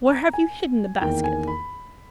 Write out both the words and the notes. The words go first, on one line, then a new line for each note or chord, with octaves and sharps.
'Where have you hidden the basket?
A#5
G#5
E2 D#3 A#3 G5
G#5
B5